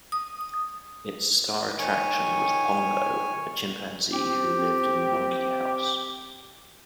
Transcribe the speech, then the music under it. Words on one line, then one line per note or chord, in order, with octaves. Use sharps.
Its star attraction was "Pongo", a chimpanzee who lived in the Monkey House.
D#6
D#3 C#5 G#5
C4 G4